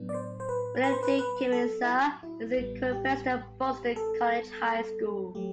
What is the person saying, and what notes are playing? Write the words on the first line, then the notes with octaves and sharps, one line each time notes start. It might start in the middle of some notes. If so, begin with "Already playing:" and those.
William J. Kemeza is the current president of Boston College High School.
Already playing: A2 F#3 B3 D4
D5
C5
C5
B4
B4
C5
B4
B4
A4
E4
F#4
E4
A1 A2 G3 B3
G4
A4
F#3 A3 G4